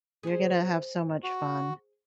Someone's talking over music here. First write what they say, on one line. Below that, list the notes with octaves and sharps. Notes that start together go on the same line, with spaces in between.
You're gonna have so much fun.
G#4 C5
F#4